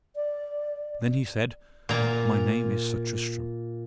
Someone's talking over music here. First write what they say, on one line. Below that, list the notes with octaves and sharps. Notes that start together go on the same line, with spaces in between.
Then he said: My name is Sir Tristram.
D5
A#2 A#5